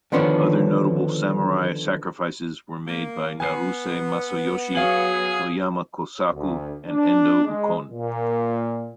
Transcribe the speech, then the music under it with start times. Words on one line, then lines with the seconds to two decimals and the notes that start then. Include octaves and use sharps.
Other notable samurai sacrifices were made by Naruse Masayoshi, Toyama Kosaku, and Endo Ukon.
0.12 D3 D#3 F3 B3 C#4 D4
2.88 A#3
3.40 B3 G#5 C7
4.75 F#3 G#4 F5 F#7
6.33 D2
6.87 D4
7.45 G#3
7.90 A#2